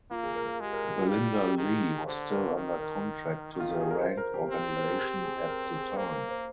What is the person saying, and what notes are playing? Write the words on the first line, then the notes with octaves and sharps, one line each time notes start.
Belinda Lee was still under contract to the Rank Organisation at the time.
A#3 F4
G#4
A#4
A#4
G#3 G4
A#4
G4
F4
G3 G4
F4
G4
D#3 G#4
D3 C5
A#4
D#3
A#4
D#3
F4
G4
G#4
A#4
C5
A#4
G4
C4
C5
A#4
G#4
G4
G#4
G#4
A#4
C5
G#4
A#4
A#3 C5
A#4
C5